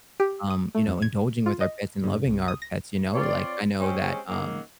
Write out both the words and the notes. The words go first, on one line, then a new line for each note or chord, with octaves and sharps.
um, you know, indulging with our pets and loving our pets, you know, like, I know that, um,
G4
D#6
A3
F2
G#6
F4
D#5
G2
C2
D#6
A#6
C4 F4 C#5 D5
G#3 C4 C#4 G4 G#4
C#3 F#3 A#3 D#4 F#4